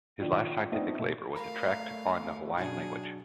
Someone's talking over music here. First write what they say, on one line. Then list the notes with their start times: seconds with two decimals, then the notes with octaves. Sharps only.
His last scientific labor was a tract on the Hawaiian language.
0.20 A#2 D#3 D4
0.71 F3 A3 B3 C4 D4 D#4
0.99 B2 A3
1.35 A3 A#4 F5 A#5 B5
2.57 B2 F#3 D4 G#4